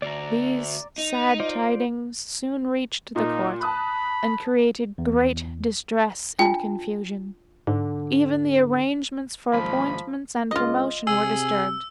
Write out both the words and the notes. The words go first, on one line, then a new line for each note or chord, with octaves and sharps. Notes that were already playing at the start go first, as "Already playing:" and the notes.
These sad tidings soon reached the Court, and created great distress and confusion: even the arrangements for appointments and promotion were disturbed.
D2 D5 A#5
D#4
F4 C5 D5
A#2 D#4
A5 B5 D#6 F#6
E2
D4 F4 G5 A5
G#2 D3
D#2 G#2 F3 B5
C#2 F4 D#5
C3 G#4 E6